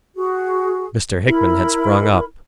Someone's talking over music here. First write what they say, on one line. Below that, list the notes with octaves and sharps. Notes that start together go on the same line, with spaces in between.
Mr. Hickman had sprung up.
F#4 G#4
E4 A#4 B5